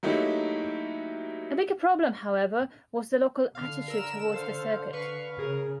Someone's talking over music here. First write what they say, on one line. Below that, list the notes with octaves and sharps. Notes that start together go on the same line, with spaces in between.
A bigger problem, however, was the local attitude towards the circuit.
F#3 A3 A#3 D#4 E4 G4
D3 F5
A#4 E6 E7
A4 C5 F5
B4 F5 C#6
C#3 G#4 A#4